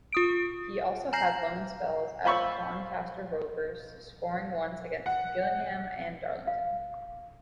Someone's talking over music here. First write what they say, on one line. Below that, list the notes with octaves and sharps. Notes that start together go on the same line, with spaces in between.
He also had loan spells at Doncaster Rovers, scoring once against Gillingham and Darlington.
F4 D#6 D7
G#5 A#5 F6 G6 A#6 C7
F4 C5 B5 C#6 E6
F#5
F5